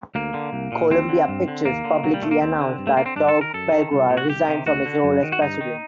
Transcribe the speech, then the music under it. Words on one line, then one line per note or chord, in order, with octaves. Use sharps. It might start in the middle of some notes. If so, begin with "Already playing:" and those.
Columbia Pictures publicly announced that Doug Belgrad resigned from his role as president.
D2 A#3
D3
C2
A#2
D#2 C4
D3
G2
D3
D#2 A#3
D3
C2 F#3
G3
A#2 A3
A#3
D#2 C4
D3
G2
A3
D3 A#3
C4
G2 D4
A4
D#3
A#4
F#2 A4
D#3
C2
A#2
F#4
C2 G4
C3 D#3
D2 F#4
D3
F#2
D#3
F#4
G2 D#4
D#3